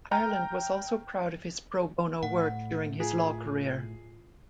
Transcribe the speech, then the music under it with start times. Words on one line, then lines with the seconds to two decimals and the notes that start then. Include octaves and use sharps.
Ireland was also proud of his "pro bono" work during his law career.
0.11 G5 A#5 F6
2.23 A2 F#5
3.00 F4 G#4